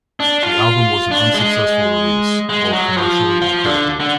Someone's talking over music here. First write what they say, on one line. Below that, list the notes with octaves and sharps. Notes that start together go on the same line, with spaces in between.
The album was an unsuccessful release, both commercially and critically.
D4
F4
D4
G#3
G#3
F#3
F3
F3
D3
D3